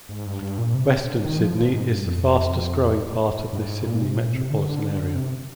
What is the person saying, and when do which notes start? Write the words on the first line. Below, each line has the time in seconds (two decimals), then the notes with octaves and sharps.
Western Sydney is the fastest growing part of the Sydney metropolitan area.
0.09 G#2
0.26 G2
0.42 G2
0.58 A#2
0.74 C3
0.91 C3
1.07 D3
1.24 D#3
1.39 F3
1.57 F3
1.73 G#2
1.88 G2
2.06 F2
3.53 G2
3.69 G#2
3.84 A#2
4.02 C3
4.17 A#2
4.34 C3
4.51 D3
5.15 C3